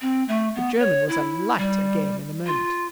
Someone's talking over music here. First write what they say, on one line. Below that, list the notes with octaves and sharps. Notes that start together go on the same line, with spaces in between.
The German was alight again in a moment.
C4
A3
B3
C#5
E4
G3
F4